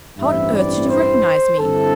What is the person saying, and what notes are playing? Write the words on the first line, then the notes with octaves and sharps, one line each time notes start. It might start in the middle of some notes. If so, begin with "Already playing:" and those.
How on earth did you recognise me?'
A1 G2 E3 C4 E4 E5
D5
C5
G2 D3 C4 E4 A4